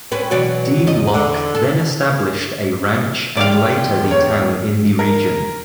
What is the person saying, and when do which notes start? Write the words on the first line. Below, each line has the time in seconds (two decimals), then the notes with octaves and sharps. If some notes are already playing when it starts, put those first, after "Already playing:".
Dean Locke then established a ranch and later the town in the region.
0.11 C4 C#4 B4
0.31 B2 E3 F#3 D5
0.87 E2 D#5
1.14 D3
1.55 A4
3.37 F4 G4 D5 F5 G5
3.76 E2
4.11 C#5
4.99 A#4